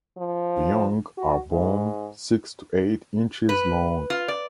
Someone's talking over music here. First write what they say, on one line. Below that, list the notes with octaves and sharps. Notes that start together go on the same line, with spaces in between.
The young are born six to eight inches long.
F3
F#4
G#2
B4
F4
D5